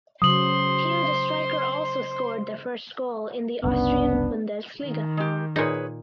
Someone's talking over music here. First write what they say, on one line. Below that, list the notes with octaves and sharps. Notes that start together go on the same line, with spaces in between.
Here the striker also scored the first goal in the Austrian Bundesliga.
C#3 F#3 C5 C6 D#6 F#7
F#1 C2 B3 C#4 D4
D#3
G#3 G4
A#2 D#4 G#4 B4 C#5